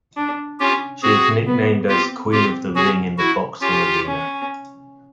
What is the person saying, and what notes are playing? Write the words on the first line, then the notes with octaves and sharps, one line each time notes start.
She is nicknamed as "queen of the ring" in the boxing arena.
D4
C#4 F4 G4
C4 F#4 G#4
B3
C4 F4 G4
C4 F4 G4
C#4 F#4 G#4
E4 F#4
C#4 F4 G4
C#4